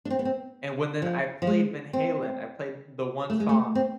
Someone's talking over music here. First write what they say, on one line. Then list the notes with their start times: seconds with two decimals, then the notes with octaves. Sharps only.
and when then I played Van Halen, I played the one song,
0.05 D4
0.10 C4
0.19 B3
0.25 C4
1.02 F3
1.42 F3
1.47 G#3
1.93 C4
3.30 A3
3.40 G#3
3.49 A3
3.75 C4